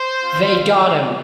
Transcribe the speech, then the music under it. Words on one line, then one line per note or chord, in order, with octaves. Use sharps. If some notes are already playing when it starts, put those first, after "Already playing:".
They got him!
Already playing: C5
C4 F4